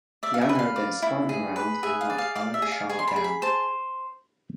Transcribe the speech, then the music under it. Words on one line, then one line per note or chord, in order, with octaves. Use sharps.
Yanuar then spun around and knocked Alam Shah down.
D5 E5
F5
E5
B4
G#5
F5
D5
E4
G#4
B4
G#4 E5
F5
D5
F5
D5 F5
E5
G#4
F5
G#4 G#5
C6
B5
G#4
B5
C5 A5